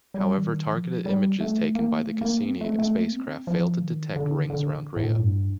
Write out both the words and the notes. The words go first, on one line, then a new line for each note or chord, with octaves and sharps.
However, targeted images taken by the "Cassini" spacecraft failed to detect rings around Rhea.
G3
D#3
F3
G3
A3
A#3
A3
A#3
C4
A3
A3
A#3
C4
F3
D#3
D3
D3
A2
A#2
A2
G2